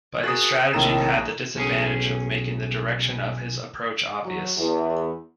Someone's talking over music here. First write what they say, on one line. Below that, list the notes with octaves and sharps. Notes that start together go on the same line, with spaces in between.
But his strategy had the disadvantage of making the direction of his approach obvious.
F#4 G#4 A#4 D#6 A6
A#1 A2 C3 D#3 A4 A#5 E7
B1 C#4 G#4
F#3
E2